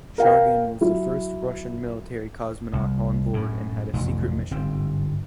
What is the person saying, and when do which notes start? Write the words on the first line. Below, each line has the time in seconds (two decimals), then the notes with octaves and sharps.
Shargin was the first Russian military cosmonaut on board and had a secret mission.
0.18 A#4 F5 G5
0.81 F#3 E4
2.73 C2
3.33 F#2 A2
3.93 A1 F2 C3 D#3
4.51 G1 G#2 C4